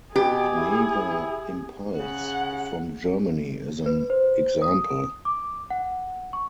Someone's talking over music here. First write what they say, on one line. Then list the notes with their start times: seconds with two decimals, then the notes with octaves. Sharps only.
Gnawa Impulse from Germany is an example.
0.16 B2 G4 G#4
0.57 E4
1.99 C#3 F#5
3.86 B4
4.10 C5
4.62 D#6
5.25 D6
5.70 F#5
6.33 C#6